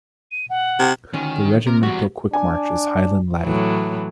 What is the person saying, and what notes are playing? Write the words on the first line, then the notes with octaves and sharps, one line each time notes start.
The Regimental Quick March is "Hielan' Laddie".
D#7
F#5
C3
D2 D#3 C#4
C3 A#4
E2 G3 C4 F#4
D4 G#5
A2 E3 F#3